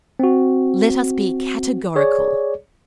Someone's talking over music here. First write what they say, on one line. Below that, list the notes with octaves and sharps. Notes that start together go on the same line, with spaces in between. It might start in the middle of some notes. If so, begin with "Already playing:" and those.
Let us be categorical.
C4 F#4
G#4 C#5 D5